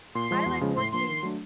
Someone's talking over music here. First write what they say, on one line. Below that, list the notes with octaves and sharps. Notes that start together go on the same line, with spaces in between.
I like working
A#2 C6
F3 G#3
E2
C#3 F3 G#3
A2 C6
F3 A#3 D4 C6
D#3
F#3 A3 D4